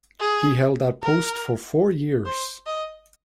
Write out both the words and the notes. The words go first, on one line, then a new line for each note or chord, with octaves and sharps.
He held that post for four years.
G#4
A#4
C5
D#5